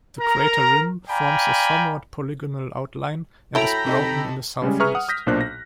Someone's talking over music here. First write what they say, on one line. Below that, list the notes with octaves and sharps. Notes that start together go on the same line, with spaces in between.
The crater rim forms a somewhat polygonal outline, and is broken in the southeast.
A#4 A#5
D5 F5 G5 G#5 A#5 B5
F#3 E4 A4 G5 A#5 B5
C3 D#4 A4
C#3 G3 G#3 C#4
G#4 B4 E5 A#5 C#6 F6
F#5 D#6
D#6 G6 A#6 B6
B1 A#2 D4 C5 F#6
A#6